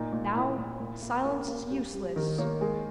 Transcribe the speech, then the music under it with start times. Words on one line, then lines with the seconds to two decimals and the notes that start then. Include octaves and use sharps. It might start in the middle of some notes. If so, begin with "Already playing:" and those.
Now silence is useless.
Already playing: A#2 D#4
0.12 A#2
0.35 A#2 E4
0.58 A#2
0.80 A#2
1.02 A#3
1.25 A#3
1.48 A#3
1.71 G3 G4
1.93 G3
2.16 D#3 A#4
2.38 A#3 C#5
2.61 G#3 A#4